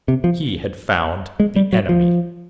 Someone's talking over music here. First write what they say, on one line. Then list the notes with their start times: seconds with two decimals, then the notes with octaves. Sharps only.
He had found the enemy.
0.08 C3
0.24 F3
1.40 G#3
1.56 G3
1.73 F#3
1.89 F3